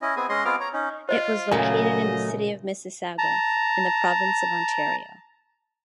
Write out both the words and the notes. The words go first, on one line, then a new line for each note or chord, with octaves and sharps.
It was located in the city of Mississauga in the province of Ontario.
C#4 E4 D#5
B3 C4 G#4 G#5
G#3 C#4 G#4 D#5 C6
B3 C4 F4 G#4 D6 F6
C#5 A#5
C#4 D#4
F4 C5 D#5
A#2 C#3 F#3 A3 D#5 G#5
A5 A#5